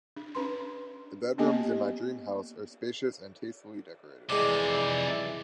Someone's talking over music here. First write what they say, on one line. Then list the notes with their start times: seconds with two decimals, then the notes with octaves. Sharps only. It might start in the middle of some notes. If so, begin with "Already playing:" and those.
The bedrooms in my dream house are spacious and tastefully decorated.
0.17 D4
0.35 C#4 D4 B4 C6
1.38 A#3 B3 C#4 G4 D#5 G#5
4.30 F2 C3 E3 G#3 D4 D5